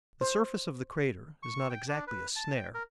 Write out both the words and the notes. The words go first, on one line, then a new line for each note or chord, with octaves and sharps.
The surface of the crater is not exactly a snare.
C5
C#6
G5
D4
B4
A5
G5
A#4